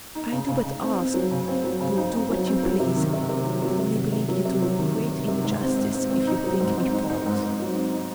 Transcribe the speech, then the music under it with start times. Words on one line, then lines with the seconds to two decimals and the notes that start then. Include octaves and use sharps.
I do but ask, though do what you please, only believe you do a great injustice if you think me false.
0.15 D#4
0.32 C#3
0.48 C#3
0.65 C#3
0.81 C4
0.98 C4
1.14 F#3
1.31 C#3
1.48 C4
1.64 F#3
1.80 C#3
1.97 D#4
2.13 C4
2.30 F#3
2.47 C4
2.63 F#3
2.79 C3
2.96 D#3
3.13 C3
3.29 C3
3.46 F#3
3.62 F#3
3.79 C3
3.95 C3
4.12 C3
4.28 F#3
4.45 C3
4.62 F#3
4.79 D#3
4.94 D#3
5.11 C3
5.28 C3
5.44 G#2
5.61 C4
5.77 G#2
5.94 C4
6.10 C4
6.27 D#4
6.44 F#3
6.60 G#2
6.77 C4
6.93 D#4
7.09 D#4
7.26 G#2
7.42 G#2
7.59 F#3
7.75 C4
7.92 D#4